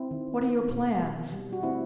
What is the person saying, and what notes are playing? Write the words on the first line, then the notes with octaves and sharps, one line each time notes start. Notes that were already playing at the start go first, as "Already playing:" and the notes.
What are your plans?
Already playing: C4 E4
D#3
D#3
B2
B2
G3
F#4
A3 C4 E4